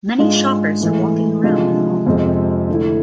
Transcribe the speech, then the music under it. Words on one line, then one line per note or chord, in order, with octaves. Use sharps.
Many shoppers are walking around in a mall.
G#2 G#3 D4 F4
A2 E3 G#3
C3 F3 G#3 D4 F4
F2 C3 F3 G#3 C4
D3 A3 E4